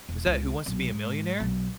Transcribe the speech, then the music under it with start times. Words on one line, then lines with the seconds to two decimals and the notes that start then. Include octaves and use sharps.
was that, Who Wants to Be a Millionaire?"
0.09 E1
0.26 C#2
0.66 B1
0.88 G#2
1.40 B1